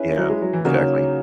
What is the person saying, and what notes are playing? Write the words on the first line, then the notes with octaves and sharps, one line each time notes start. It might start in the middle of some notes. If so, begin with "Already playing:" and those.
Yeah, exactly.
Already playing: C#4 E4 G#4 B4
F#3
G#3
F#3
E3
C#3 F#3 A#3 D#4